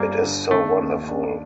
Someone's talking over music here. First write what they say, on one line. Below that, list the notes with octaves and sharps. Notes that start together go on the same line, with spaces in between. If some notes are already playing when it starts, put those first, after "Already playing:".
It is so wonderful.
Already playing: G1 G2 G3 A#3
D3
D#3 A3
D#2
D4